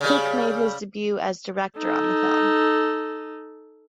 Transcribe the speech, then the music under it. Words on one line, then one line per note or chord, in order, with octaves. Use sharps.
Cook made his debut as director on the film.
C#3 G3
D#4 A4